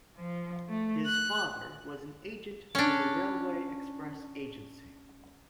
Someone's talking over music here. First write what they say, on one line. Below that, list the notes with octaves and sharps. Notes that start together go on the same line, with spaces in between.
His father was an agent for the Railway Express Agency.
F3
A3
F#6
C#4 D4